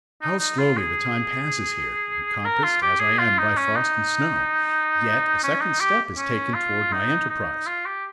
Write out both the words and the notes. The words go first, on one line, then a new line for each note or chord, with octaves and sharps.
How slowly the time passes here, encompassed as I am by frost and snow! Yet a second step is taken towards my enterprise.
D#4
D#4
F4
G#4
A#4
F4
G4
G#4
F4
D#4
C#4
D#4
C#4
D#4
G4
C#4
F4
D#4
D#4
F4
G4